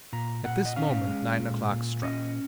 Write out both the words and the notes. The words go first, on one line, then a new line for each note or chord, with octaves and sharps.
At this moment nine o'clock struck.
A#2 A#5
A#2 F#5
D#5
C#4 F5
G#3
A#2
A#2
C#4 D#5